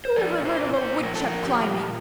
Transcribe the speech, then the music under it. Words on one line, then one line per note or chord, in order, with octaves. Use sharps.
"Who ever heard of a Woodchuck climbing?"
C5
F3 D5
A#2
C5
A#2
C5
A#2
F3 A#4
A4
F3 A#4
A#2 G4
A#2